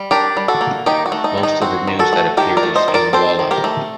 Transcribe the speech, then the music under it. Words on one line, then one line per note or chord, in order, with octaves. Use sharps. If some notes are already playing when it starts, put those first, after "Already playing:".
Most of news that appears in Walla!
Already playing: G3
D4 G4 A#4
G3
F#4 A4
A#3
D#3 D#4 G4
F#4
A3
D#4
D#3
D#4
C4 F#4
D#3
F#4 A4
A3
D#3 G4 A#4
A#4 D5
A3
C5 D#5
D#3
A#4 D5
C4 A4 C5
D#3
G4 A#4
A3